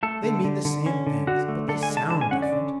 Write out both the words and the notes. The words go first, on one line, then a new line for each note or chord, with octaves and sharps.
They mean the same things, but they sound different.
A3 A4
D3
D3
D3
C#4
D3
D3 F#4
A3
D3 A4
G#5
G#3
A5
D3 A5
G#5
C#4 F#5
D5
D3